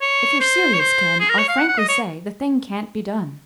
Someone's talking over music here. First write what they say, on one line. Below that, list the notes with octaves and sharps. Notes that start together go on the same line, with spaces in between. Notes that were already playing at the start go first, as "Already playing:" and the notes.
If you're serious, Ken, I'll frankly say the thing can't be done.
C#5
C5
C#5
C5
G#4
A#4
C#5
F5
F#5
F#5
D#5
C#5